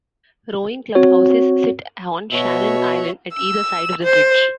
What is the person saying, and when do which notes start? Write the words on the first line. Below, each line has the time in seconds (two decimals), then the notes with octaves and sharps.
Rowing clubhouses sit on Shannon Island at either side of the bridge.
0.95 C4 F#4 C#5
2.32 B2 F#4 C#5 E5
3.34 E6
4.03 C5